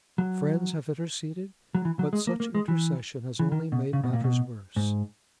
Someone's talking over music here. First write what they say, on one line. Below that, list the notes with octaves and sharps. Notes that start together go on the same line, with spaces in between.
Friends have interceded, but such intercession has only made matters worse.
F#3
F#3
E3
F#3
G#3
A#3
A#3
G#3
E3
E3
D#3
B2
C#3
B2
A#2
B2
G#2